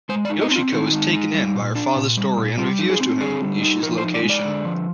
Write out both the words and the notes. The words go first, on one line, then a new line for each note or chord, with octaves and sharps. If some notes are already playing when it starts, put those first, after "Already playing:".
Yoshiko is taken in by her father's story and reveals to him Nishi's location.
G#3 C5
D5
D#4
D#5
C4 F4
D#3 D#4
G#3
D#4
G3
A#2
D4
A#2
G3
A#2
G3 F4
D#4
G#4
C4
D3 G#4
G3
D#4
F3 A#4
C5
D#4
D5
G#3
D5
D3
F3